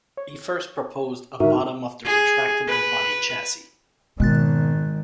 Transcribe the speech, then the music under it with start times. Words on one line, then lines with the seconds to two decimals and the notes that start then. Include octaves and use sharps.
He first proposed a "bottom of the retractable body" chassis.
0.17 C#5
1.40 G#2 D3 D#4 F#4 A#4 E5
2.05 G#4
2.69 B4
4.20 G#1 B2 D#3 G#3 F#6 A6